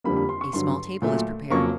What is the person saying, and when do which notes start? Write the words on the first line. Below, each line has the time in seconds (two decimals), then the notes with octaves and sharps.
A small table is prepared.
0.04 F2 D3 G3 A#3 B5
0.16 B5
0.29 C6
0.41 C#6
0.53 G2 D3 F#3 C6
1.02 A#2 F#3 A3
1.50 F2 C#3 F#3 A#3 C#6